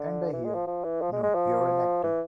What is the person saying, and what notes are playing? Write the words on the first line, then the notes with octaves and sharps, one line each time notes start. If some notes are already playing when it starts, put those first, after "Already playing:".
And I hear: "No, you're an actor".
Already playing: D3
E3
G#3
F3
F3
E3
F3
G#3
G#3
F3
E3